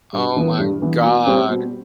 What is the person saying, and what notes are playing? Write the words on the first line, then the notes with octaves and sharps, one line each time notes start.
Oh my god.
G2
E3 B3
G2
E3 B3
B2
G3 C4
B2